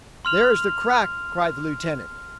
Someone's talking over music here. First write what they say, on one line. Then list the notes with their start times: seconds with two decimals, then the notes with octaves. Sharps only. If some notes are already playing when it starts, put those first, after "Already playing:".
"There is the crack!" cried the lieutenant.
0.25 C6 F6 F7